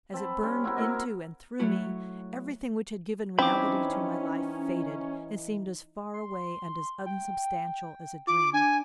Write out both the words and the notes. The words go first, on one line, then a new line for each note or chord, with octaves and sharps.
As it burned into and through me, everything which had given reality to my life faded and seemed as far away and as unsubstantial as a dream.
C4 A5 B5
G3 C#4 C5
A#3 C4 E4 F#4
E4 A#4 D#5
F#3 A3 E4 F#4
E3 C4 C#4 D#4 B5 D6
C6
G5
F4 D6
D4 G#5